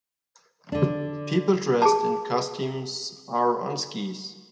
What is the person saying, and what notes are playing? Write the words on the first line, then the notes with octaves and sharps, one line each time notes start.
People dressed in costumes are on skis.
D3 D4
G#4 A5